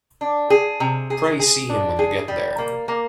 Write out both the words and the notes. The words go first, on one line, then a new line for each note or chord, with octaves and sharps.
Pray see him when you get there.
D4
G#4
C3
G#4
G#4
D4
G#4
G3
A#3
A#3